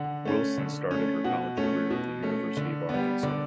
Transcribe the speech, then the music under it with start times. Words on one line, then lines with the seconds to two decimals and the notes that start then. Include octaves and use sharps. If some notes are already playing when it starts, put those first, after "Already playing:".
Wilson started her college career at the University of Arkansas.
Already playing: D3 F#5
0.25 A3 C#4
0.58 D3
0.91 A3 C#4
1.24 B2 F#5
1.57 A3 C#4
1.90 B2
2.23 A3 C#4
2.57 D3
2.89 B3
2.94 G3
3.23 D3 D5